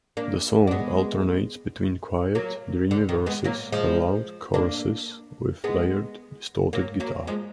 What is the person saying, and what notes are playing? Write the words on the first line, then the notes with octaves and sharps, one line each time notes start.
The song alternates between quiet, dreamy verses and loud choruses with layered, distorted guitar.
A#3 D4
D4
G#3 B3
F#3 A#3
D3
D#3
G#3 B3
F#3 A#3
F3 G#3
A#3 D4
G#3 B3
F#3 A#3
F#3 A#3
F3 G#3